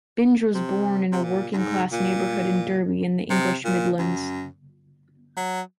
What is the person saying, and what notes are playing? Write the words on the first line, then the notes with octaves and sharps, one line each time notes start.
Binge was born in a working-class neighbourhood in Derby in the English Midlands.
C3
C3
A#2
F#2
G#2
A#2
C3
A#2
F#2
F#3